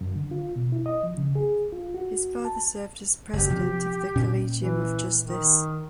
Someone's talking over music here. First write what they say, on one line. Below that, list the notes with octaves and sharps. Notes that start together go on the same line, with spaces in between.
His father served as president of the Collegium of Justice.
F#2
D3
F4
B2
E4
D#5
F3
C#3
G#4
F4
F#4
A5
F#1 G4
C3 F3 C4
A#2 C#4
E3
D#3